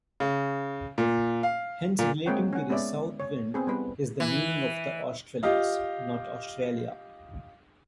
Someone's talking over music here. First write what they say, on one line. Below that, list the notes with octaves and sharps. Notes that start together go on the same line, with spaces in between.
Hence relating to the south wind is the meaning of australis, not Australia.
C#3
A#2
F5
A#2
G#3 A#3 C4 C#5 F#5 G5
C#4 F#5
G#3 B3 C#5 D5 E5
C#5
B3 C4 G#4
G3 B3 B4
E3
F4 G4 D#5 F5